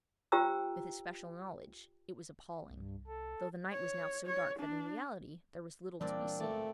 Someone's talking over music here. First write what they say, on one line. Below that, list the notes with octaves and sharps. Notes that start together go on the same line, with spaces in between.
With his special knowledge, it was appalling--though the night was now so dark that in reality there was little to be seen.
F4 G4 C5 G5 A#5 E6
C2 G2
A4
C#5
C#5
D4
A#2 E3 G3 A#3 C4 D4 D5
A3 D5